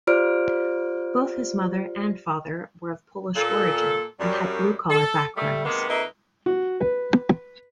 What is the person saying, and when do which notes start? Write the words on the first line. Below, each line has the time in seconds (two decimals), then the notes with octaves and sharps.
Both his mother and father were of Polish origin and had blue-collar backgrounds.
0.07 F4 G4 C5 D5 F6 D7
3.36 A#2 A4
4.20 F#2 G3
4.90 A4
5.36 G3 A3
5.65 C3 D#3 G#3 A#3 B3
5.89 F2 A#3 D#4 B4 D#5 E5
6.46 F#4
6.80 B4